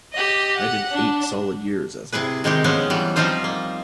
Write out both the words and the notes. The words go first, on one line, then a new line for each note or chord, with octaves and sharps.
I did eight solid years as Malcolm.
G4 D#5
F#5
D4
C3 E4 G#4 B4
D#3 G#3 C4 D#4 G4
F3 G#3 B3 C#4
E3 F#3 G3
F3 G3 C4 D#4 F4 C5
A#3